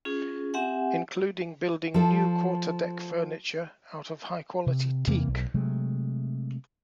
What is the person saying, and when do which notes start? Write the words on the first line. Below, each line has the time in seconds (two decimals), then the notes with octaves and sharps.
Including building new quarter deck furniture out of high quality teak.
0.05 C#4 F4 G#4
0.54 C4 G4 E5 F#5 G#5
1.94 F3 A4
4.67 C3
5.07 E2 C3 E3 A#3
5.28 B1
5.54 C3 F#3 G#3 A3